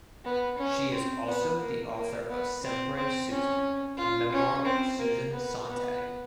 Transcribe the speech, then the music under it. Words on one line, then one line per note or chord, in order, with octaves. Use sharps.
She is also the author of Sempre Susan: A Memoir of Susan Sontag.
B3
C#4
C4
B3
A#3
A#3
B3
C4
C4
C#4
F4
C#4
C4
A#3
B3
B3